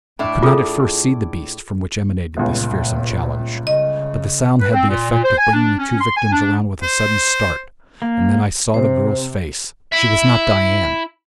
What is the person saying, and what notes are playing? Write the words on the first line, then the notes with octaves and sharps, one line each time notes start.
I could not at first see the beast from which emanated this fearsome challenge, but the sound had the effect of bringing the two victims around with a sudden start, and then I saw the girl's face--she was not Dian!
A2 D4 E5
F4 G#4 A4
G1 C#2 A#2
C#3 D#5
B4
C4
A#2
A#2
C5
G#5
D4
C#4
C6
G#5
D4
C5
A#3
C3 C5
E4 E5